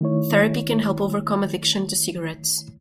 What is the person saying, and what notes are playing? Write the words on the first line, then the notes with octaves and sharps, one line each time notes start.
Therapy can help overcome addiction to cigarettes.
D#3 A3 E4 C#5